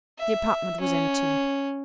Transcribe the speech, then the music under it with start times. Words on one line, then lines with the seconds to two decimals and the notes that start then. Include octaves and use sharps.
The apartment was empty.
0.19 E5
0.81 C#4